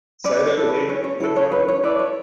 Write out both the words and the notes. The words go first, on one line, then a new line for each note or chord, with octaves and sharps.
say that again. What did y'all do?
C#4 B4 D5
C#5
E4 A4
B4
C#4 C#5
C#5
E4 A4 B4
C#5
C#4 B4
C#5
E4 A4 B4 D5
C#5